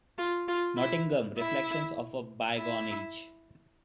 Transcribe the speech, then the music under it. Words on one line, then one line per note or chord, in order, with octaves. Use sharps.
Nottingham: Reflections of a Bygone Age.
F4
F4
E4
E4
E4